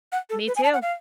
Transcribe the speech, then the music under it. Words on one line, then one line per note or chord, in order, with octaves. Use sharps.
Me too.
F#5
A4
B4
G#5
A5
F#5
F5